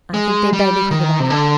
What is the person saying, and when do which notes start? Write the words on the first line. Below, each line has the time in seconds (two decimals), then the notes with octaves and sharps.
I think they'd better be quick about it.'
0.14 G#3
0.53 G3
0.91 D#3
1.20 C3
1.30 D3